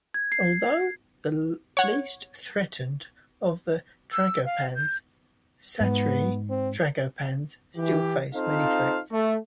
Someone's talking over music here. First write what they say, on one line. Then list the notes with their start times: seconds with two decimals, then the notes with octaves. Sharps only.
Although the least threatened of the tragopans, satyr tragopans still face many threats.
0.14 G#6
0.32 C7
1.77 C#5 F#5 G#6
4.12 E6
4.45 F5
4.76 G6
5.80 G#2 B3
6.50 C4
7.76 E3 G4
8.35 C4 D#4 F4 A4 C5 F5
9.12 A3